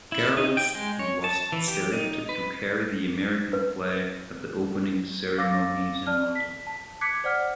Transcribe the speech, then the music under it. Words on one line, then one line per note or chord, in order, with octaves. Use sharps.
Garrels was selected to carry the American flag at the opening ceremonies in London.
E4
D#4
G5
G#3
C#5
A5
E3
G4
D#4
B4
B4
F5 D6 E6 A6 A#6
D5 A5 F6
B6
A5
D6 F#6 G#6 B6 C#7
C5 D5 F#5 F6